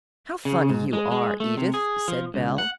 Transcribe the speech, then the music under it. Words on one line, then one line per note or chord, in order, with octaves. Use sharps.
"How funny you are, Edith," said Belle.
C#3
G#2
G#3
G#3
A3
C3
G#4
F3
C#2
F#5